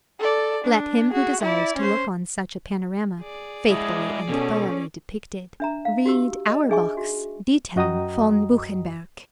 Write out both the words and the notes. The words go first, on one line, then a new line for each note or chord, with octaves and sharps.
Let him who desires to look on such a panorama, faithfully and thoroughly depicted, read Auerbach's "Diethelm von Buchenberg."
A4 D5
D4
F#4 G#4
E4 D5
C#4 C5
G#4 D5
G#3 E4 D#6
B2 C#4 A4
D4 E5 A#5
F5
F#4 G4 E6
D#5
D4 D#4 G#4 E5 G#5 C#6
F#4
F#2 F#4 D#5 G5 A#5 D#6